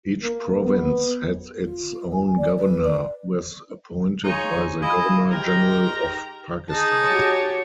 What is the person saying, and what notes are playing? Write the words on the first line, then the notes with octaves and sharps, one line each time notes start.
Each province had its own governor, who was appointed by the Governor-General of Pakistan.
A#3
B3
F4
G#5
D5
B4
D5
D#4 F4 G#4 C#5
E4 F4 G#4 D#5
G#2 D#4 G4 A#4 G5 A#5
D#4 G#4 A5
F#4 G4 C#5